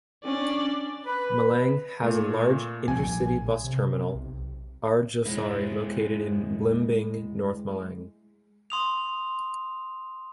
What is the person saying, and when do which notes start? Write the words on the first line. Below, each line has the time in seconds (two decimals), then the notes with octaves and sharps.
Malang has a large intercity bus terminal, Arjosari, located in Blimbing, North Malang.
0.24 C#4 D4 D5
1.07 B4
2.02 A#2 A3
2.88 A#1 G3 G#5
3.64 C3
4.14 B1
5.26 G#3 E4
8.70 C6 D#6 F7